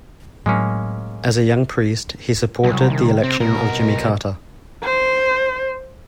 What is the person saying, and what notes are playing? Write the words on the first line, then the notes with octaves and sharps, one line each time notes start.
As a young priest, he supported the election of Jimmy Carter.
A2 F#3 G#3 A#3 C#4
C2 F#3
D#3
C3 C4
C2 B2 A#4
C5